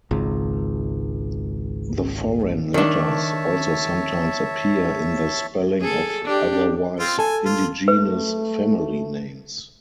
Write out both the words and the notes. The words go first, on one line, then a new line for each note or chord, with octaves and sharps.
The "foreign" letters also sometimes appear in the spelling of otherwise-indigenous family names.
G#1 C#2
D#3 D4 C#5 E5 A5
G#4 A4
D4 G4
C4 F4
A4 G#5
F4
A3 B4